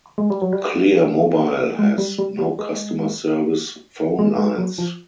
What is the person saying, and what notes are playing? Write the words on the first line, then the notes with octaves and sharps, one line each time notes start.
Clear Mobile has no customer service phone lines.
G#3
G3
F#3
G3
G#3
G3
G3
G3
G#3
G#3
G#3
F#3
F3